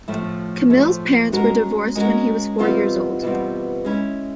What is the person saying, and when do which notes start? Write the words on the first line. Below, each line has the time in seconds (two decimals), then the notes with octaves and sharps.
Camil's parents were divorced when he was four years old.
0.08 A2 F3 A3
0.70 A2 F3 A3
1.32 G#3 C#4 F#4 A#4
1.95 G#3 C#4 F#4 A#4
2.58 E2 B2 G3 C4 F4
3.22 E2 B2 G3 C4 F4
3.85 G#3 C#4 E4